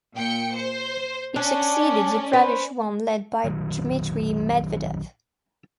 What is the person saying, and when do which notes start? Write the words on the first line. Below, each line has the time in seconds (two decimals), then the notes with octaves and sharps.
It succeeded the previous one led by Dmitry Medvedev.
0.15 A#2 G5 C#7
0.57 C5
1.36 C#4 D4 D5
2.33 B4 C5
3.44 A#1 D#3 F#3